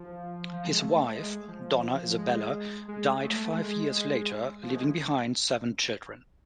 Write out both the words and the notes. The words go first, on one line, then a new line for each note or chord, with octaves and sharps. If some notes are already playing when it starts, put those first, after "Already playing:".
His wife, Donna Isabella died five years later leaving behind seven children.
Already playing: F3
F3
G#3
A3
G#3
F3
F3
G#3
G#3
A3
A3
A3
G#3
F3
A3
G#3